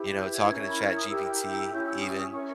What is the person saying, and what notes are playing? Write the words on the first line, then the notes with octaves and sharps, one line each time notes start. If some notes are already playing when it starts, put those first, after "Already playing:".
you know, talking to ChatGPT even,
Already playing: E4 G4 B4
G6
G#6
C#4 E4 A#4 G#6
B5
C#6
D#6
E4 G4 A#4 E6
C#4 E4 G4 G6
E6
D#6
C#4 E4 A#4 C#5 C#6